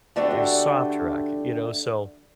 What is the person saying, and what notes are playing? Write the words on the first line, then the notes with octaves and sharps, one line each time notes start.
there's soft rock, you know? So,
D3 A3 D4 F#4 G4